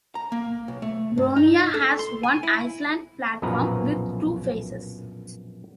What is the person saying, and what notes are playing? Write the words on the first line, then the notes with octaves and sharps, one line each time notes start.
Boronia has one island platform with two faces.
A#5
A#3
B1
A3
G2
D#4
A4
C6
G#5
E4
A#1 F#2 B2 F3 B4 A#5